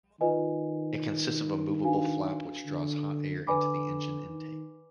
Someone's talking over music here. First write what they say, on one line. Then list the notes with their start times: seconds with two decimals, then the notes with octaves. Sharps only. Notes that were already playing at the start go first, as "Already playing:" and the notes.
It consists of a moveable flap which draws hot air into the engine intake.
0.21 D#3 F4 B4 D#5 G#5
1.84 D4 F#4 B4 F5 G#5
2.66 D3
3.47 D3 B4 D5 G#5 B5 D6
4.29 D#3